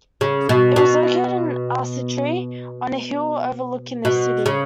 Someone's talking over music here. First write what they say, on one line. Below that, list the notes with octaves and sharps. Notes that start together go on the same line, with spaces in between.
It was located in Arcetri, on a hill overlooking the city.
C#3
B2
B2
B2
C#3